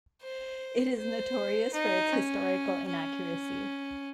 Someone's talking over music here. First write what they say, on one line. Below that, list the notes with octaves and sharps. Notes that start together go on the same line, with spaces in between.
It is notorious for its historical inaccuracy.
C5
C5
D#4
C#4
C#4